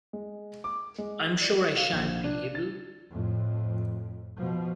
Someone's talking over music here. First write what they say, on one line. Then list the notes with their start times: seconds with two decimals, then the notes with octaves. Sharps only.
I’m sure I shan’t be able!
0.13 G#3
0.64 D6
0.98 G#3
1.41 D5
1.77 F5
1.93 A#1
2.24 D4
2.55 A6
3.10 F2 A2
4.37 B2 F3